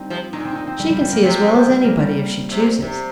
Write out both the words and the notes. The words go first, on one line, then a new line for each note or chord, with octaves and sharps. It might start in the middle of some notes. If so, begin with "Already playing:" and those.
She can see as well as any body, if she chooses.
Already playing: G3 C4 D#4
C3 F3
A#2 D#4
C4
D#4
C4
G3
G3
G3
A#3
C3 C4
C4
G3
A#3
G3
C3
A#2
C3